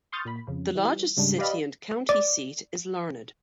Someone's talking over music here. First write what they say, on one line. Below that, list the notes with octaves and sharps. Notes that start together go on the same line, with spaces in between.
The largest city and county seat is Larned.
C6 C#6 D#6 F6 G6 A6
A#2 B5
F2 C#3
E3 G3
G#2 C#3 G3 G#3 D4
G4 B4 D5 D#5 F5 B5
D5 D6